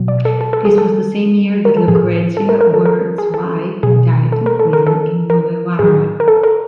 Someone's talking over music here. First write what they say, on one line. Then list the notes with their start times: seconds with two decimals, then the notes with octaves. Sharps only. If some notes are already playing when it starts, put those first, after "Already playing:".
This was the same year that Lucrezia, Wert's wife, died in prison in Novellara.
Already playing: B2 F#3
0.08 D5
0.25 A4
0.41 A4
0.53 A4
0.65 G#4
0.78 A4
1.65 A#4
1.77 A4
1.88 A2 F3 G#4
2.37 A4
2.49 A#4
2.61 A#4
2.74 A4
2.86 A#4
3.18 G#4
3.34 A4
3.83 B2 F#3 G#4
4.32 A4
4.46 A#4
4.59 A4
4.73 A#4
4.87 A4
5.30 A#4
5.79 A2 F#3 G#4
6.20 A#4
6.28 A4
6.43 A#4